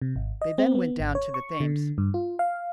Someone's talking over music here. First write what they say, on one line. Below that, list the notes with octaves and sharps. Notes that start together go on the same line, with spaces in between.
They then went down to the Thames.
C3
G#1
D#5
C4
B3
G#1
C#5
C#6
D3
G2
F4
F5